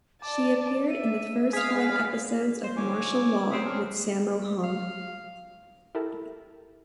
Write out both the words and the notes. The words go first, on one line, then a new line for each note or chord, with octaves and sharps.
She appeared in the first five episodes of "Martial Law" with Sammo Hung.
D5 A5 D6
E5 D#7
G#3 G#4 F5 B6
C5
G#2 D3 F3 C#5 G#5 D6
F#3 G#3 C4 C#4 E5 D#6
D4 G#4 A#4
F5
E4 G4 A4 A#4